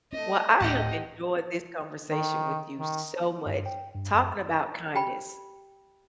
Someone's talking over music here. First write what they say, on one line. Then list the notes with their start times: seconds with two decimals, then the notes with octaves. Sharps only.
Well, I have enjoyed this conversation with you so much, talking about kindness.
0.12 A3 C4 D#5
0.60 D1 A2 G4 D#5 F#5 A5
2.10 D#3
2.79 D#3
3.46 G2
3.66 G5
3.95 G2
4.14 F#2
4.95 G4 G5 B5